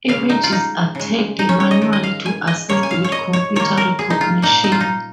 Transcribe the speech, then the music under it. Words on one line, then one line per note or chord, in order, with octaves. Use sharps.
Images are tagged manually to assist with computer recognition.
C#3 G#3 F5
D#4
F4
D#4
C#3 G#3
D#4
C#4
C#5
D#5
D#3 G#3
D#5
F5
G#5
D#5
C#3 A#3 C#5
G#5
F5
C#5
D#5
C#5
D#3 A#3 C#5
A#4
G#4
D#4
F4
A#2 A#3 D#4
D#4
F4
D#4